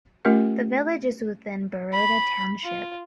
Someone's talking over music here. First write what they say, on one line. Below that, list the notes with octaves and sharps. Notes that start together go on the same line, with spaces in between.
The village is within Baroda Township.
A3 C#4 F4 G4 A#4 F#5
B5
F4